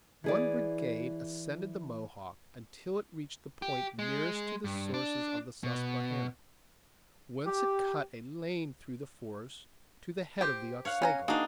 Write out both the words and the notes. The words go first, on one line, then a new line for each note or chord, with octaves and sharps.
One brigade ascended the Mohawk until it reached the point nearest to the sources of the Susquehanna, whence it cut a lane through the forest to the head of the Otsego.
E3 G#4 D5
G4
G#3
G2
D4
B2
G4
G4 C5 G5
C#5 F5 F#5
C#4 G#5 A#5
A#3 D4 D#4 F#4 G#4